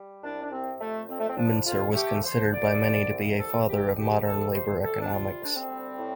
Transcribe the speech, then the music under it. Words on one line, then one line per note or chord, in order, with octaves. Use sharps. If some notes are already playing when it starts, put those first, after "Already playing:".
Mincer was considered by many to be a father of modern labor economics.
Already playing: G3
C2 D4
D4
C3 C4
F2 A3
F2 C4
A3
C4
F3 D4
F2 F4
A3 G4
F3 C5
C2 D5
C3
C2
C2 A4
C3 G4
C3 G4
C3 A4
D2 C5
C3 A4
D4
G3 F4
D2 D4
C4
G3
A2